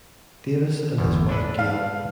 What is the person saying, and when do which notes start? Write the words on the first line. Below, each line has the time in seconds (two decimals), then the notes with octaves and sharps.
Davis and his wife Gale.
0.98 G1 E2
1.29 D4 A4 B4
1.59 F5